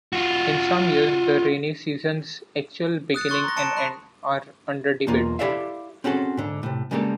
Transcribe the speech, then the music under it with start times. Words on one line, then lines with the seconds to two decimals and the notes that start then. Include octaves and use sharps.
In some years, the rainy season's actual beginning and end are under debate.
0.13 F4 F#4
3.14 D#6 F#6 A6 C#7
3.29 C6 C#6 F#6 A6
3.44 A#5 A#6
3.56 A5 C#7 D7 E7
3.77 B5 F#6
5.07 B1 E2 A#3 F4
5.39 E4 G4 A4 D5 E5 F5
6.04 C4 C#4 F#4 G#4 A4
6.37 G#2 D3
6.63 A2 C3
6.91 C#3 G3 G#3 A#3 G4 A4